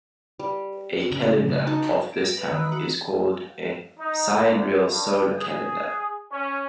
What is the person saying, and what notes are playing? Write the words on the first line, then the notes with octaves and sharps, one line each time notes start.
A calendar of this type is called a sidereal solar calendar.
G3
C#3 C#4
D#4 F#4 A5
A#6 D7
B4
D#3 E3 F#6
F#4
D#4
D2
G2
G#4
C#4